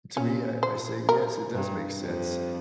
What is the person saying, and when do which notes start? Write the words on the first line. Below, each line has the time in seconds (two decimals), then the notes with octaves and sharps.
to me, I I say, “Yes, it does make sense,
0.17 A#2 C#4
0.63 C5
1.09 A#4
1.54 G2
2.00 F2